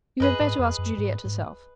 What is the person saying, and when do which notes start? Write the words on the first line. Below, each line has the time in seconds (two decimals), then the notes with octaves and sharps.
You had better ask Juliet herself.
0.20 F#2 G#4 B4 D#5
0.40 G#2
0.59 F2
0.78 F#2
0.98 G#2
1.25 G#2